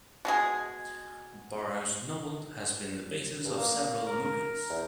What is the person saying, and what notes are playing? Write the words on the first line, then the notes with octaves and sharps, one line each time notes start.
Burroughs' novel has been the basis of several movies.
B2 G#3 G#4
G2
A#3
A#4
A#4
E2